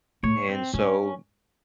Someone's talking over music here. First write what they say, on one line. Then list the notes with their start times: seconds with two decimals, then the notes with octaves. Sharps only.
and so,
0.23 A2 C#5
0.49 C4
0.74 G#2 C#4